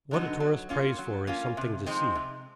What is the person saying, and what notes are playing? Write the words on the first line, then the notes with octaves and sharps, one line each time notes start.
What a tourist prays for is something to see.
D3 F#3 B3 D#4
F#3
A#3 C#4 F4
F#3
A#3 C#4 F4
C3
F3 G#3 C4 D#4
C3